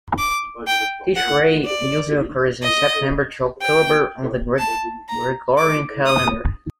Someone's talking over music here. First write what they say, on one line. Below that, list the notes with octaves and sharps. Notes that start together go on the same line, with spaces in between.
Tishrei usually occurs in September-October on the Gregorian calendar.
D6
G5
F#5
D5
D#5
G5
A5
A#5
D6
D#6